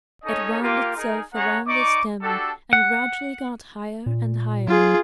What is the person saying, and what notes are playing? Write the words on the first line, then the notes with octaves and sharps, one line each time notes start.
It wound itself round the stem and gradually got higher and higher.
C#4 D#4 A4 C#5 D#5
A#3 F4 G4
D#4 G#4 A#4
B3 C#4 G#4 C#5 F#5 A#5
D#4 D5 C#6 D6
D4 F#4 G4 A4
F#5
A#2
F#3 F4 G#4